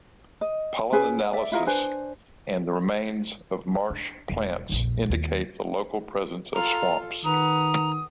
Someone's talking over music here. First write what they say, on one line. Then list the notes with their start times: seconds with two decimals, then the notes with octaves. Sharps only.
Pollen analysis and the remains of marsh-plants indicates the local presence of swamps.
0.41 D#5
0.93 C#4 G#4 B4 G#5
1.33 D5 E5
1.52 E4 F4 A#4 D#5
1.67 D4 B4 C5 G#5
3.90 D4
4.29 E1 B2
4.69 F1 A#1
5.10 D#2
6.54 F4 A4 A#5
7.24 D#3 B4 F#5 A#5 D#6